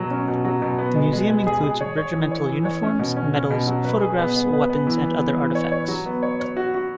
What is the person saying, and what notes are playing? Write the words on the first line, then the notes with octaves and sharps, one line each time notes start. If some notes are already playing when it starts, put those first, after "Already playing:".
The museum includes regimental uniforms, medals, photographs, weapons and other artifacts.
Already playing: B2 F#3
C#4
B2
F#3
B2
B3
G#3
G#3
G#3
G#4
G#4
C#5
C#5
E3
C#5
E3
C#5
C#4
B2
C#4
C#4
B2
F#3
B4
G#4
B3
B3
B4
B3
E3
B3
B3
E3
C#5
C#5
F#3
B3
C#5
C#5
F#4
F#4